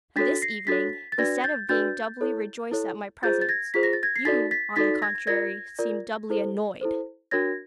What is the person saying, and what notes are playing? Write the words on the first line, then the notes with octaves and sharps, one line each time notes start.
And this evening, instead of being doubly rejoiced at my presence, you, on the contrary, seem doubly annoyed!
D4 F#4 A4 C#5 A6 B6
A#6 C7
D4 F#4 A4 C#5 A6 B6
A6
D4 F#4 B4 D5 G#6 A#6
G6 A6
D4 F#4 B4 D5 G6 A6
E4 A4 C#5
E4 A4 C#5
F4 G#4 C5 G6 A6
A6
G#6 A#6
F4 G#4 C5 B6
A#6
A6
G#6 A#6
C7
D#4 F#4 A4 D5 A6 B6
A6 B6
D#4 F#4 A4 D5 A6 B6
G#6 A#6
F4 A#4 D5 G#6 A#6
F4 A#4 D5
E4 A4 C5
E4 A4 C5
D4 F#4 A#4 C#5 G#6 A#6